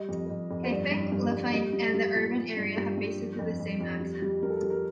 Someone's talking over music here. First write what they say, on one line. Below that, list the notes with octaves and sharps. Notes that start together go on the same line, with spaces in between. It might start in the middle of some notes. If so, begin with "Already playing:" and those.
Haifeng, Lufeng and the urban area have basically the same accent.
Already playing: G3 D#5
F2
F2
F2
C5
G2 D5
G2
G2
G2
G3 D#5
G3
G3
A#2
F3
G2
G2 G4
G2
F3
F2
F2
F2
G3
G3
G3 A#4
A4
A#4
G3
A#4